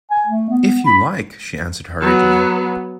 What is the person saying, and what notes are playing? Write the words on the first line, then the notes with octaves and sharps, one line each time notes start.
"If you like," she answered hurriedly.
G#5
A3
B3
B5
F#3 B3